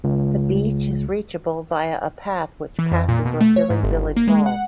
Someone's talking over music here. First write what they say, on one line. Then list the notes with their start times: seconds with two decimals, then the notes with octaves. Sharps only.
The beach is reachable via a path which passes Rhossili village hall.
0.04 C#2
2.79 E3
2.92 F2
3.09 A#2
3.25 B2
3.41 A3
3.56 C#5
3.70 G#2
3.83 G1
4.17 A#3
4.28 G#3
4.46 F#5